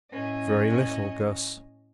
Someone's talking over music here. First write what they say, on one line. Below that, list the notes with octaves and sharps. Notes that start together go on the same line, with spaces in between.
"Very little, Guss."
A2 C#4 D#5